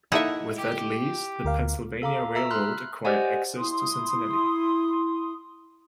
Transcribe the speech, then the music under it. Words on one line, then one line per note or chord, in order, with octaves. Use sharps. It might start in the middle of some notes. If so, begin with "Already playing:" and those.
With that lease, the Pennsylvania Railroad acquired access to Cincinnati.
A#3 D#4 E4 A4 E5 F#5
G4
D2 A#4 F5
A4 F5 A#5 D6
E5 A#5 E6 B6
B5 C6 F6 F#6
G4 C5 D5 D#5 F#5 G#5
E4 C6 D#6